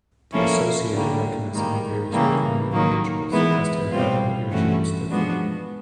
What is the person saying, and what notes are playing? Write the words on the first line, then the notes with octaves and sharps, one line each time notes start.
The associated mechanism varies between individuals, as their head and ear shapes differ.
F3 A#3 C#4 E4 A4
D3 G3 A#3
G#2 D#3 G3 A#3
C#3 E3 G3 A#3
D#3 F#3 A#3
E3 G#3 B3 E4
B2 G3 C4 F4
G2 E3 A3 C#4 F#4
F3 G#3 B3 D4 F#4